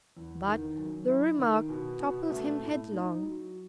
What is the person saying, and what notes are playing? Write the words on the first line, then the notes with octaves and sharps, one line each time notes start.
But the remark toppled him headlong.
E2
D#3
F#2
E4
D#3
B2
B2
A3
A2
D#4
F#3